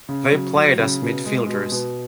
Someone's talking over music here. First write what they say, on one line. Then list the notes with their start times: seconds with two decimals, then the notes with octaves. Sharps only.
They played as midfielders.
0.09 C#3
0.32 F#3
0.56 F#3
0.79 C#3
1.02 B2
1.25 G#3
1.48 B2
1.72 B2